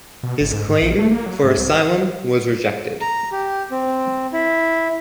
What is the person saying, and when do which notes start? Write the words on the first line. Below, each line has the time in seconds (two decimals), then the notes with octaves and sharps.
His claim for asylum was rejected.
0.23 B2
0.41 G#1
0.53 G#2
0.69 G#2
0.82 A#1
0.99 A3
1.11 A#3
1.26 F#3
1.44 G#2
1.57 C2
3.01 A#5
3.32 G4
3.71 C4
4.33 E4